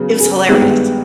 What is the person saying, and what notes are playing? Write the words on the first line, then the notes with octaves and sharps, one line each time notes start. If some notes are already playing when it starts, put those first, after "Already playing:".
It was hilarious.
Already playing: C#3 F#3 B3
G#4
G2 D#3 G#3 B3 G4